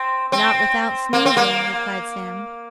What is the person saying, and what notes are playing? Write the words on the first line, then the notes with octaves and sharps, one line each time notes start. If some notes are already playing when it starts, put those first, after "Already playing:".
'Not without sneezing,' replied Sam.
Already playing: C4
C4
A#3
C4
A#3